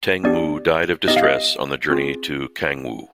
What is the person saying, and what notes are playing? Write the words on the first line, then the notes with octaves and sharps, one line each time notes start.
Teng Mu died of distress on the journey to Cangwu.
B3 D4 G4 D5
B3 D#4 G4 D#5
F5
D#5
C4 F4 G#4